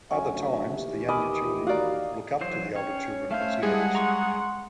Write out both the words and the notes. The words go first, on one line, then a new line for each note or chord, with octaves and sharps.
Other times the younger children look up to the older children as "heroes".
D2 F#3 C#4 E5
D#2 E3 G4
A#4 D#5 G#5 B5 D6
A#3 F#4 D5 F5
E3 F#3 C5
C#4 C#5 G5
A3 C#4 C5 E5 F5
G3 G#3 E4 G#4 A4 F#5
A#5 C6 C#6